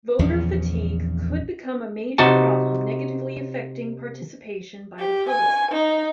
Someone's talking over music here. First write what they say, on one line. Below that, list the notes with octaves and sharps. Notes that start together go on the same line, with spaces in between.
Voter fatigue could become a major problem negatively affecting participation by the public.
A#1 E2 C#3
C3 D#4 F#4 A5
G4
G#5
D#4